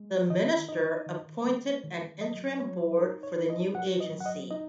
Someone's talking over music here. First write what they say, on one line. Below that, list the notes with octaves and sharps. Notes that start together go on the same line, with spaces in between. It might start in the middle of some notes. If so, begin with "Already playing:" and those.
The Minister appointed an interim board for the new agency.
Already playing: G#3
D#3 D#5
D#4 D#5
D#3
G#3
D#3
F#3 D#5
F#3 C#5
D#4 A#4
C#5
D#4
D#5
F#3 F#5
D#5
F#3
F#5
D#5
D#4 D#5